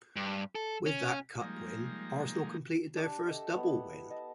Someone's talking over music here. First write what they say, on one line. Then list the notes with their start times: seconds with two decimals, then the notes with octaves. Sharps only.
With that Cup win, Arsenal completed their first Double win.
0.16 G2
0.55 A4
0.86 C#4
1.42 F3 G3 G#3 A#3 D#4
2.96 D4 G4
3.27 A4 D#5 E5
3.56 B3 E4
4.10 D#5 A5